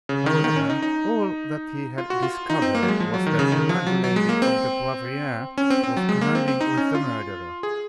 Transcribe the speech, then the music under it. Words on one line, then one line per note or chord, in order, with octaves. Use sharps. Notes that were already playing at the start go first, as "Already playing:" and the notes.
However, all that he had discovered was that the landlady of the Poivriere was conniving with the murderer.
C#3
D#3
D#3
C#4
D#4
D#4
F4
F#4
F4
D#4
C4
A#3
F#3
G#3
F3
F#3
D#3
C#3
D#3
F3
F#3
F#3
G#3
A#3
C4
C#4
C4
C4
F#3
G#3
A#3
C4
C4
D#4
C#4
F4
G#4